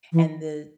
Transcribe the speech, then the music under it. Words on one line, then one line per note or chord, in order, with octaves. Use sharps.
and the
E3